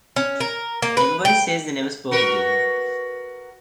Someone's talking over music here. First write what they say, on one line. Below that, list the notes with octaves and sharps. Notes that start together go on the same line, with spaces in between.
Everybody says they never spoke again.
C#4
A#4
A#3
B4
G5
F#4 A#4 B4